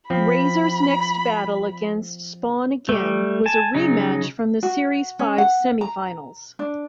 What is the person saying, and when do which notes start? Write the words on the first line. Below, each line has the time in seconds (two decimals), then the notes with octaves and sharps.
Razer's next battle against "Spawn Again" was a rematch from the series five semi-finals.
0.10 F3 C4 B5
2.89 G3 A3
3.46 G#5 A5
3.75 C#3 F#3 D#4
4.63 F#4
5.19 C#4
5.38 F#5
5.81 A#5
6.59 D4